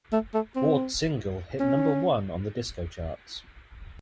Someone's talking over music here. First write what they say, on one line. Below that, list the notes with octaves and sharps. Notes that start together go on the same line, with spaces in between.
Ward's single hit number one on the disco charts.
A3
A3
C4
C#4